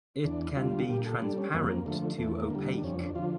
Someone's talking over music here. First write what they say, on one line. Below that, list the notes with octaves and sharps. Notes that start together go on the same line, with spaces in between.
It can be transparent to opaque.
E2 D4
D3 G3 F4
A#2 G4
A4
G3 D4
C#4
F2 A#3
D3 F3 A3
E2 A3
A#3
D3 G3
D4
F2 C#4
D4
D3 F3 F4